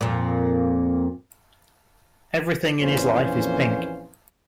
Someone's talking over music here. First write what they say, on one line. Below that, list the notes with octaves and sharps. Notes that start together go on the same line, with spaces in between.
Everything in his life is pink.
F2 A#2
A#1 F2 A#2 E3 C#4 C5